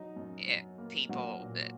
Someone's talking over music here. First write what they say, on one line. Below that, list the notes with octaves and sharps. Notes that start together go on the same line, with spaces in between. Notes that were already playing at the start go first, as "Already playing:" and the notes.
eh, people, eh
Already playing: F#3 D#4
F#2
F#3
A#3
F#3 A#3 F#4
A#2